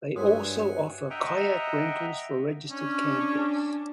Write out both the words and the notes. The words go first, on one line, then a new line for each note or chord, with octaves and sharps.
They also offer kayak rentals for registered campers.
G2 F#4 C#5 E5 F#5 G#5 D#6
D#5 E5 F#5 G5 A#5
C#4 D4